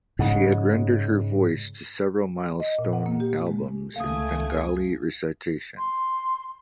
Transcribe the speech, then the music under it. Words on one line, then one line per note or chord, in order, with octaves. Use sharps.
She had rendered her voice to several milestone albums in Bengali recitation.
G#2 C#3
D#5
A#2
F#5
A#3
G4
G#3
C#2 A3 F5 G#5 D#6
C6